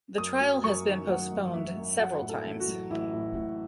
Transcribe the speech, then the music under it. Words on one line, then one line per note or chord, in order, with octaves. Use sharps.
The trial has been postponed several times.
F#2 D#6
F#3
F#2 C#6
D#3
F#3 F#5
G#1
F#3 E5
F#2
F#3 F#5
A2
A4
A1
F#4
F#3
A1 E4
A2
A2